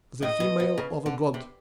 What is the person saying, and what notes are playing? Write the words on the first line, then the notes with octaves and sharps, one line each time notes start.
The female of a god.
A2 D#5
B2
B2
C#3
D3
C3